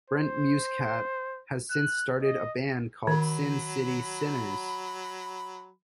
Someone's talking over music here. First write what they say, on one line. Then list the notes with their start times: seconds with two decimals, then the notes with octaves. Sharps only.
Brent Muscat has since started a band called Sin City Sinners.
0.10 C5
1.70 F#6
2.22 D#5
3.07 D#3 F#3 B5